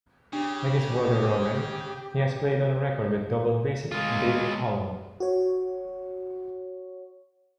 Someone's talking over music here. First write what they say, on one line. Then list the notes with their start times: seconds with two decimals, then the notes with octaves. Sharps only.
Like his brother Robin, he has played on record with double bassist Dave Holland.
0.33 C#3 D4 G4
3.92 G#3 F4
5.20 F#4 C#5